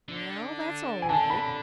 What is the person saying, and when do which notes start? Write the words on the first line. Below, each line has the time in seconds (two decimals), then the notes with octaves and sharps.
Well, that's all right.
0.09 D3
1.02 G#5
1.09 D3 A5
1.30 B5